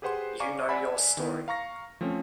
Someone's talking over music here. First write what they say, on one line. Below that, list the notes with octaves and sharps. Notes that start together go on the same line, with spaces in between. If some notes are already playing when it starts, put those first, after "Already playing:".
You know your story.
G4 G#4 B4 C5 F#5 C6
D5 F5 G#5 A#5 C#6 D6
D5 E5 F#5 G#5 B5
D#3 B3 E4
F5 A#5 C#6 A#6
F3 A3 C4 C#4